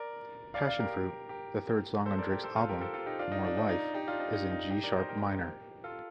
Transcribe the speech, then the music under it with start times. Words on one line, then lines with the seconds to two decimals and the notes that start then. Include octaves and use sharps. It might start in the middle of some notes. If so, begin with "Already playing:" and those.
"Passionfruit", the third song on Drake's album "More Life", is in G-sharp minor.
Already playing: A#4 D5
0.54 D5 F5
0.67 D5 F5
0.79 G4 A#4
1.29 G4 A#4
2.06 A4 C5
2.18 A#4 D5
2.31 G4 A#4
2.43 A4 C5
2.56 F4 A4
2.69 G4 A#4
2.81 A4 C5
2.94 F4 A4
3.06 D#4 G4
3.19 D4 F4
3.32 D#4
3.45 D4
3.57 D#4
3.69 D#4
3.94 D#4 G4
4.07 D4 F4
4.20 D#4
4.33 D#4
4.51 D#4
4.70 D#4 G4
4.83 A#4 D5
4.96 C5 D#5
5.09 G4 A#4
5.84 F4 A4